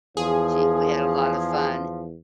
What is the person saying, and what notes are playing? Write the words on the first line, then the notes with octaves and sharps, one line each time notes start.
She we had a lotta fun.
E2 F3 G#4